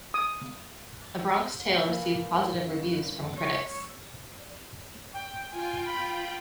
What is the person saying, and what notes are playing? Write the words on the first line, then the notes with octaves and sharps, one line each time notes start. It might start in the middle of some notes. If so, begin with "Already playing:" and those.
"A Bronx Tale" received positive reviews from critics.
D#6
A2 E3 A#3
F#2
C#5
G5
F4 G5 G#5
B5